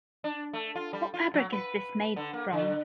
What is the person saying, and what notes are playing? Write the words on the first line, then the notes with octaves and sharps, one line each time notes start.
What fabric is this made from?
D4
A3
F4
G3
F4
F#3
B4
D3
A#3
D3